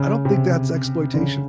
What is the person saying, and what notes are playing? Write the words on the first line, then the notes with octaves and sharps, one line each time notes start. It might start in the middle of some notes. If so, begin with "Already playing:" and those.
I don't think that's exploitation.
Already playing: C#3
C3
D3
C#3